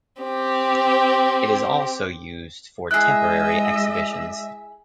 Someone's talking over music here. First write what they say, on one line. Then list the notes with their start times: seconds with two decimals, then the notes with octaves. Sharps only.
It is also used for temporary exhibitions.
0.22 C4 G4
2.91 G#3 E4 G#4 D#5 E5 F#6